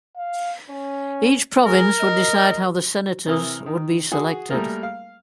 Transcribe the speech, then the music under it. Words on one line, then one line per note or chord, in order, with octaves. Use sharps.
Each province would decide how the senators would be selected.
F5
C#4
G#4 A#4
D#5
C3 E3 A#4 D#6
D#3
F#4 G#4
G3 A3 A#3 G#4 A#4
F5